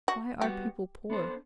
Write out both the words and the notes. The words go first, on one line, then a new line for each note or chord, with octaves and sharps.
Why are people poor?
F#4
G3 B3 F#4 G4
B3 D4 A4 C5